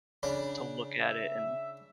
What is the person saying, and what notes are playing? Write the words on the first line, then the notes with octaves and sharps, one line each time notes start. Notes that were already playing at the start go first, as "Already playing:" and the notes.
to look at it and,
C#3 D4 B5
E5